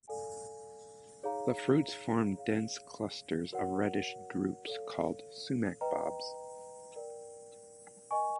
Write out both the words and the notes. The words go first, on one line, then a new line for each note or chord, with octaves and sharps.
The fruits form dense clusters of reddish drupes called sumac bobs.
A4 D5 F5 G#5
D#4 G#4 C#5 F5 A#5
G#4 C#5 F5
F#4 A#4 C#5 F#5
A4 C#5 F5
B4 D#5 G5 A#5
A#4 D5 G5
A#4 D#5 G#5 C#6